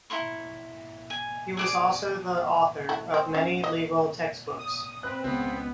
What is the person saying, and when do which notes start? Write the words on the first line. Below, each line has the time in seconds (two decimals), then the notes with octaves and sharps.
He was also the author of many legal textbooks.
0.10 E4 A#5 C6 C#6
1.10 G#5
1.57 G#4 D5 D6
2.89 A3 E4 F#4
3.14 C4
3.35 C#4 E4
3.64 D#5
4.58 D#6
5.03 C4 B4 F#6
5.24 C#2 B3 C4